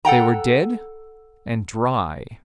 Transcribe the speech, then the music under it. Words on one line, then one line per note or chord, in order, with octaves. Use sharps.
They were dead and dry.
A4 F#5 G5 A#5